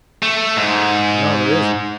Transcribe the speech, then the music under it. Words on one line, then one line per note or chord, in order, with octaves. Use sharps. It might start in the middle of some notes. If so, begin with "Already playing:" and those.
"No, there isn't."
A3
G#2